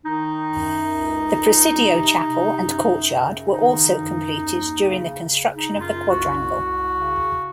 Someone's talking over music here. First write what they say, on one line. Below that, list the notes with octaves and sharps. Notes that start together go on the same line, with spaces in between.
The Presidio Chapel and courtyard were also completed during the construction of the quadrangle.
D#3 D#4
F#2
C#2
C#2
C3
C3
F#2
C#3
D#3 D#4
F#2
D#2
C#3
C#3
D#4
F#2
F4
C2 F#4
C2
C#3